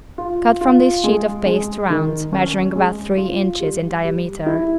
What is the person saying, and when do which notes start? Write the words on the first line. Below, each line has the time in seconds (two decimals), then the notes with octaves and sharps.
Cut from this sheet of paste rounds measuring about three inches in diameter.
0.18 F4
0.61 F4
1.04 G#3
1.46 G#3
1.90 D#3
2.33 C#4
2.76 G#3
3.17 F4
3.60 G3
4.04 G3
4.46 E4